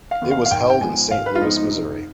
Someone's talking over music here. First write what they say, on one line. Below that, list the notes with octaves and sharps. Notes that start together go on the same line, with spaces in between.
It was held in Saint Louis, Missouri.
F5
D#2 D#3 B3
F5
F5
G#1 G5
G5
G#2 F3 B3 G#5
G#1 F5
B4
F4
G#2 F3 B3 D#4
D#4
F1 D#4